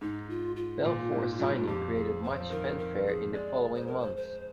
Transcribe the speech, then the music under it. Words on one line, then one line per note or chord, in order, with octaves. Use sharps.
Belfour's signing created much fanfare in the following months.
G#2 D#4
F4
F4
A#2
G#2
G2
F2 G4
G#4
C5
F3
D#3 A#4
A#4
G#4
G#3 D5
C5
A#4
C5
C5